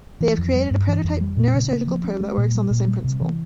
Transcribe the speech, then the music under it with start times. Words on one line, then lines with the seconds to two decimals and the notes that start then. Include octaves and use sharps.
They have created a prototype neurosurgical probe that works on the same principle.
0.21 E3
0.38 F2
0.54 G3
0.71 G2
0.88 E3
1.04 F2
1.21 G3
1.37 A#2
1.55 C#3
1.72 A#3
1.87 F3
2.04 C#4
2.21 G#3
2.38 A#2
2.55 G3
2.71 A#2
2.88 G3
3.04 C3
3.21 E3